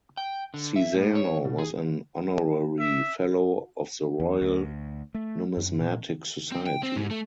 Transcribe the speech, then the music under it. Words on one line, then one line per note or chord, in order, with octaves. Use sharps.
Cesano was an Honorary Fellow of the Royal Numismatic Society.
G5
D3
E5
A2
C#5
B2
G#4
E5
E2
D2
A3
F#2
A#2
C4
G5
C4
G#2
A3